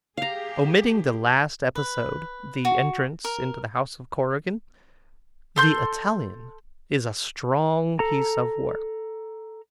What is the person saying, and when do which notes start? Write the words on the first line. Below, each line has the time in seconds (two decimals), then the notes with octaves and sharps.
Omitting the last episode, the entrance into the house of Corrigan, The Italian is a strong piece of work.
0.17 G4 G#4 F5 A#5
1.75 B4
2.65 F#4
3.25 A#4
5.56 A4 C6 G6
7.99 A4 A#5